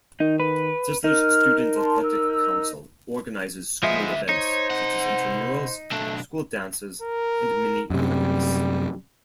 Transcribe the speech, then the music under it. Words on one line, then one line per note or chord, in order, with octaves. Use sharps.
Sisler's Student Athletic Council organizes school events such as intramurals, school dances, and mini-olympics.
D#3 D#4
B4
D#4 A#4 F6
A5 C6
E6
D2 F3 G#3 B3 E5
D#4 C5 C#5
C3 F#5
B1 A3 D4
A#4
F#2 C3 G3